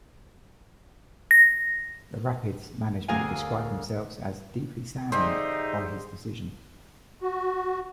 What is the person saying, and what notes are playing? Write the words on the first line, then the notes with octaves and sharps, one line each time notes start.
The Rapids' management described themselves as "deeply saddened" by his decision.
A#6
D2 G#4 A#4 F5 G#5
D3 D#4 G4 G#4 C5 E5 D#6
F#4